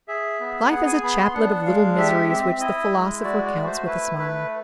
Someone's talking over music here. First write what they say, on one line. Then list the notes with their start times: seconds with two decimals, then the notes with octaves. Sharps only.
Life is a chaplet of little miseries which the philosopher counts with a smile.
0.08 G#4 E5
0.40 B3
0.71 G#4 F#5
0.87 G#5
1.03 B3 B5
1.19 C6
1.34 D4 F#5
1.66 G#3 F5
1.97 G4 E5
2.29 C4 E5
2.60 E4 D#5
2.92 G#3
3.23 F#4 D5
3.45 D5
3.55 A3
3.66 C5
3.87 E4 B4
4.18 A3 B4